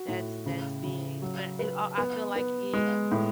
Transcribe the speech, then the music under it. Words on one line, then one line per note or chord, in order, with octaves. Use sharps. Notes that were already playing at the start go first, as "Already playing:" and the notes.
That's, that's big, but it I I feel like it
Already playing: F#4
A2
C#3
C#3
F#3
B4
B3
B3
G#3
A2